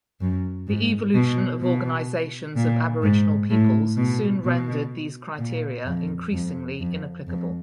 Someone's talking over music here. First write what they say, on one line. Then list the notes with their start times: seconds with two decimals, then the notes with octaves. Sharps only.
The evolution of organizations of aboriginal peoples soon rendered these criteria increasingly inapplicable.
0.21 F#2
0.68 G#2
1.14 B2
1.62 B2
2.56 A#2
3.03 G#2
3.50 A2
3.97 B2
4.44 B2
5.39 A#2
5.85 F2
6.33 F2
6.79 F2
7.27 F2